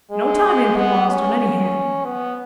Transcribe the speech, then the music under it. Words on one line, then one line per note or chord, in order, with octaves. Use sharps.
No time ain't been lost, on any hand.
G#3
B3
C#4
B3